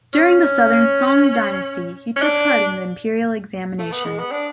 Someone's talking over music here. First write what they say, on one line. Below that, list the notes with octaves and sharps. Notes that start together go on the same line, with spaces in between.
During the southern Song Dynasty, he took part in the Imperial Examination.
C#4
C#4
D4
A3
B3
G#3
B3
D4